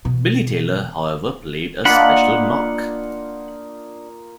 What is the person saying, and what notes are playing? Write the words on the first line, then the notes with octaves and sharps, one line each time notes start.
Billy Taylor, however, played a special knock.
B2 E3
A#3 D4 D#4 F4 F#5 B5